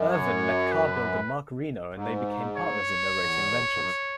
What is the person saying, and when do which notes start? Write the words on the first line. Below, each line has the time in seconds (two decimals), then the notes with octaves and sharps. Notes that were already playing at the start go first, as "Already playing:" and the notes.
Irvan met car-builder Marc Reno and they became partners in their racing ventures.
Already playing: F#2
0.10 C#5
0.72 B4
1.94 G#2
2.57 C#5
3.19 E2
3.72 G#2
3.79 F#2